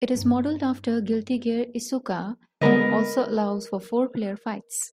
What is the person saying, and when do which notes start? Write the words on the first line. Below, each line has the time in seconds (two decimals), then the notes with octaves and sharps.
It is modeled after "Guilty Gear Isuka", and also allows for four player fights.
0.15 G2 D#4
2.61 D3 G#3 B3 A#4 B4 D#5